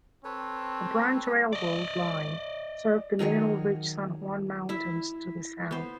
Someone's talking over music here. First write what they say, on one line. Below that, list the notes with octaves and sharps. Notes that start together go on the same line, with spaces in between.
A branch railroad line served the mineral-rich San Juan Mountains to the south.
C4 A4 B4 C#5
D5 D#5
D#3 F#3 G#4 C#5
E4 E5
B3 C5